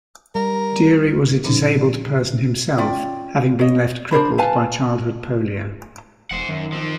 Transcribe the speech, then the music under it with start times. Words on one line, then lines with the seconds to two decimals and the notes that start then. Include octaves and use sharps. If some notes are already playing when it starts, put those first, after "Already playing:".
Dury was a disabled person himself, having been left crippled by childhood polio.
0.35 G3 A#4
1.44 A#2 D3 F3 C#4 D#4
2.78 C#4 F4 D5 G5
3.59 C#5 D#5
4.11 D4 A#4 C5 B5
4.38 B4 F5 G#5 A5
6.31 E1 C5 F#5
6.49 F#2 D#3
6.72 F3 C4